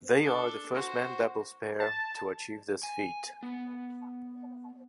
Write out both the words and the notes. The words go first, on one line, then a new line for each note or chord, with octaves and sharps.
They are the first Men's Doubles pair to achieve this feat.
D4 A4
F#4 C5
A5
G#5
B3